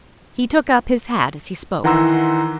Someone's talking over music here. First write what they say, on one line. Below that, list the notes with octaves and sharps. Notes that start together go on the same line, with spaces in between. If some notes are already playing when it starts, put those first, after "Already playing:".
He took up his hat as he spoke.
D#3 E3 F#5 A#5 C6 E6